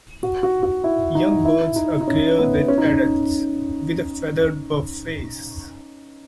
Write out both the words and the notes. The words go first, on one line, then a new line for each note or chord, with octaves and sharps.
Young birds are greyer than adults, with a feathered buff face.
F#4
F#4
F#4
E4
D#4
E4
D#4
D#4
C#4
B3
C#4
D#4
C#4